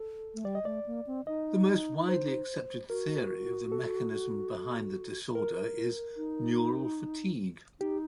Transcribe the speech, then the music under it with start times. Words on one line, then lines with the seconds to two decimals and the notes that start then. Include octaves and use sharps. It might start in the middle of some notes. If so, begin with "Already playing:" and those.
The most widely accepted theory of the mechanism behind the disorder is "neural fatigue".
Already playing: A4
0.34 A3
0.45 G3 D5
0.55 D#5
0.65 A3 D5
0.86 A#3
1.07 C4
1.27 D#4 D#5
2.09 C5
2.90 F#4 A#4
3.72 A4
5.35 A#4
6.17 D#4
7.80 D#4 G4